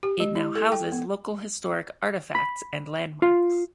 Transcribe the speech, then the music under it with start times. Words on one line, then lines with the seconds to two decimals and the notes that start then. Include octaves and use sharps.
It now houses local historic artifacts and landmarks.
0.03 G4
0.20 G#3
0.35 E4
0.55 A4
0.72 G5
0.92 B3
2.35 B5
3.22 F4